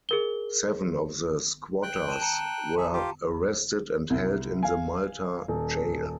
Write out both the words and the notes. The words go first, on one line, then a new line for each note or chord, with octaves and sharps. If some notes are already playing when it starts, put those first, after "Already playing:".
Seven of the squatters were arrested and held in the Malta jail.
G#4 A#4 G7
G5 F#6
A5 D#7 E7
A5 A#5 C#7
G#4 E5
F4 G4
C2
F5 G#5
D#1